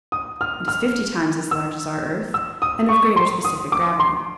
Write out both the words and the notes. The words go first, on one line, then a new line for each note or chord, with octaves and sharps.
It is fifty times as large as our Earth and of greater specific gravity.
D#6
F6
F6
E6
E6
D#6
C#6
C6
D#6
D6
C6